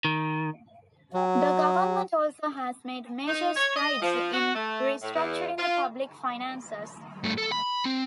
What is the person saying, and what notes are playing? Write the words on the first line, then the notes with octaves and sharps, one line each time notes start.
The government also has made major strides in restructuring the public finances.
D#3
F#3
D#4
C#5
D#5
F3
F#4
A3
A2
E2
F4
G2 A3
A4
B5
C4